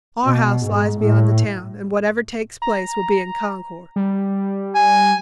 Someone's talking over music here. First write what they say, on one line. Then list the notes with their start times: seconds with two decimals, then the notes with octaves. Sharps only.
Our house lies beyond the town, and whatever takes place will be in Concord.
0.24 B2
0.65 G#2
1.00 A2
2.62 A#5
3.96 G3
4.75 G#5